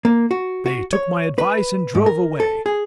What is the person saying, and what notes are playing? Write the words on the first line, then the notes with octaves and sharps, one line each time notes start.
They took my advice and drove away.
A#3
F#4
F#4
C#5
B4
G#2
A#4
A4
G#4